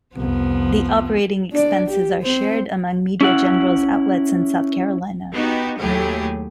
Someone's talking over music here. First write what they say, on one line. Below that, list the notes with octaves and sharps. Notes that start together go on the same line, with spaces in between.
The operating expenses are shared among Media General's outlets in South Carolina.
C2 F2 F3 B3
D4 D5
G4
C4 C5
C#4 E4 F#5
B3 D#4 F#4 G4
D#2 A2 F#3 G4 G#4